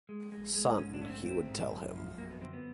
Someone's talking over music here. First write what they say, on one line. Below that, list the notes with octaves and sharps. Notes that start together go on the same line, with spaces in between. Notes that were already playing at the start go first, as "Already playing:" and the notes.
"Son," he would tell him.
G#3
G#3
G#3
G#2 C#4
D4
A3 C#4
C4
A3 C4
G#2
F#2
F3
F#2 A#3
B3
D3 C4
B3